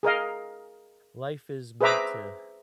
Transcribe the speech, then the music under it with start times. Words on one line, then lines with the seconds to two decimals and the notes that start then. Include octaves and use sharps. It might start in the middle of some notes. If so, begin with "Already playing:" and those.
life is meant to,
0.03 G#4 A#4 D#5 F5
1.81 G#4 B4 C5 E5 A#5 D6